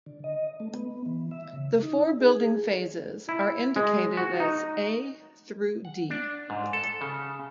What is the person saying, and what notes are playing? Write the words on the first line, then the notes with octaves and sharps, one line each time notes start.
The four building phases are indicated as a–d.
D3
D#5
A3
B3
E3
E5
C#3
D#4
G#4
E4
G#3
F#4
D#4
F#5
D4
G#2
A4
C#3